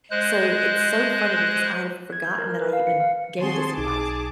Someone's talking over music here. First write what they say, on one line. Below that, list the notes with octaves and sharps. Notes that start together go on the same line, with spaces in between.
so it's so funny because I had forgotten that I even gave this advice,
G#3 C5 F#6
G#6
G6
A#4
B4
F5
C#7
F5
D#3 C4 F#4 G#4 G#5 A5 C6
B1 D#4 D6